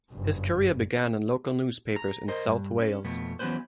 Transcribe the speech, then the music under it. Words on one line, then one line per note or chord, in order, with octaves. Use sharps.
His career began in local newspapers in South Wales.
F#1 G2
A#5
A#4 C5 D#5
G2
C#4
F2 B2 A3 B3
E3 F#3 B3 C#4 B4 C5